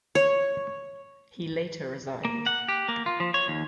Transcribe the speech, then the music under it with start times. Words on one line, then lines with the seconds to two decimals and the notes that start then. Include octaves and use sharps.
He later resigned.
0.15 C#5
2.25 A#3
2.46 F#5
2.68 G4
2.89 A#3
3.06 F4
3.20 F3
3.34 C#5
3.48 D#2